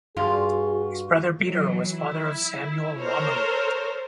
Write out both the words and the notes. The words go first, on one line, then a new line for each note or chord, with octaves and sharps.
His brother Peter was father of Samuel Romilly.
G2 F4 F#4 G#4
E3 F#3
E4
A4 A#4 C5 C#5